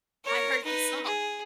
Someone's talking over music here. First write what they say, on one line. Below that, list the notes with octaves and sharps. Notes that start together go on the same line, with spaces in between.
I heard the song.
A#4 C#5
D#4 B4
G#4